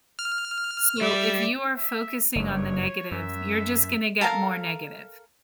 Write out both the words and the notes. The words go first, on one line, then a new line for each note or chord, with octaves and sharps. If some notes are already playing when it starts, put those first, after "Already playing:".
So, if you are focusing on the negative, you're just gonna get more negative.
F6
G3 D5 E5
E5
F#1 G2 C#5
F#2 E5
A4 A#4 F5 A#5